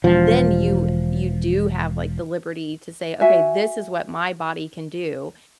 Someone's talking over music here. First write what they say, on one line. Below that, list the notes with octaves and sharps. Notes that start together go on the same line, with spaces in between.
then you you do have, like, the liberty to say, "Okay, this is what my body can do,
E1 F3
F#4 E5 G#5